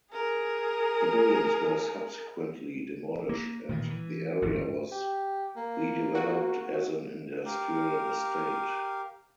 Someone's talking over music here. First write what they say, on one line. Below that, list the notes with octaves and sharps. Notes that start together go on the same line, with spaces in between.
The buildings were subsequently demolished and the area was redeveloped as an industrial estate.
G#4 A#4
A#3
A#2 D#3 E3
E3
G#1 F2 G#2
G4
A#3
F#4
G4 A#4 F5